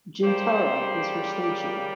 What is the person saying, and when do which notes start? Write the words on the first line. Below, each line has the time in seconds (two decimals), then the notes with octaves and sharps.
Jintara is her stage name.
0.23 C#3 G3 A#3 C5